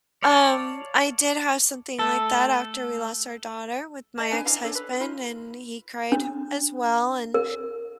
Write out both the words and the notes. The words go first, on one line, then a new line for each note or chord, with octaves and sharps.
um, I did have something like that after we lost our daughter with my ex-husband, and he cried, as well, and
C#5 D5 F5 A5
A3 A4
D#5 A5
D4 B4 G#5
D4 E4 F5 A#5
D4 A4 C#5
B4
D#4 F4 B5
D4
A#4